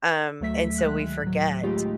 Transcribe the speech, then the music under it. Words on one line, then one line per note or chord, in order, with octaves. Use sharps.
um, and so we forget.
D2 F#3 A3 E5 B6
D#3 G#3 F#6
A2 F#3
G#3 A3 D#4 F4 G4